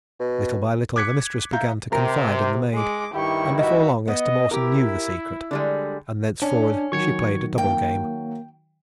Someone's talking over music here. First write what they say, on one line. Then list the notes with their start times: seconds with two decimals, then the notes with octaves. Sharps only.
Little by little the mistress began to confide in the maid, and before long Esther Mawson knew the secret--and thenceforward she played a double game.
0.20 B2
0.96 D6 F#6 G#6 B6 C#7
1.52 E5 F5 A#5 G6
1.92 C3 A#4
2.74 G#3 D6
3.14 G2 D#3 E4 G4 C#6
3.59 F#4 D#5 E5
4.08 B3 D#5
4.51 E4 G4 A#4
5.51 D3 G3 G#3
6.42 C#4 D4
6.92 D#3 F#3 C#6 G#6 C#7
7.58 A#3 G5